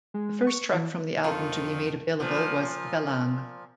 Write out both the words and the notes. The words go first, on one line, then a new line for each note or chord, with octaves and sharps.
The first track from the album to be made available was "Galang".
G#3
C#6
E3
F2 D3 D#3 F4 A4
A#2 F3